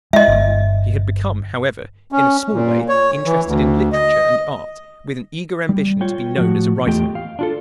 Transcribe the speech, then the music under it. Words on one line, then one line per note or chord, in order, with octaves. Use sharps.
She had become, however, in a small way interested in literature and art, with an eager ambition to be known as a writer.
G#3 D#5 E5
G1
C#4
A#2
C#5
E3
D2
D#5
G3
F4 C#5 G5
A2 F3 F#4
E2 A3 F4 G4 D#5 G5
F5
D4 F4 A4